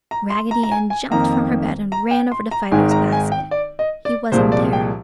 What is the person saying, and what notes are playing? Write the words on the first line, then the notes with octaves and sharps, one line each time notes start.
Raggedy Ann jumped from her bed and ran over to Fido's basket; he wasn't there.
A#5
C6
A#5
A#5
G#5
G#5
F2 D#3 A#3 A#5
A#5
G5
C6
A#5
G#1 G#2 D#3 G#5
A#5
G#5
G5
D5
D#5
D5
C2 A#2 F3 G#3 C5
D5
G5